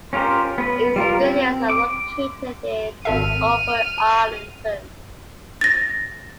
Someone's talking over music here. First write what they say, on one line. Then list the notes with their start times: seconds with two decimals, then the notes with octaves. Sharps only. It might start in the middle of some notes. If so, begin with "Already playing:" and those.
Its studios are located in Upper Arlington.
0.13 C#4 F4 G4 A#4 C5
0.58 B3 B4
0.96 G3 F4 A#4
1.21 C4
1.70 D6
3.05 G#1 A4 E5 F6 D#7
5.61 A6 A#6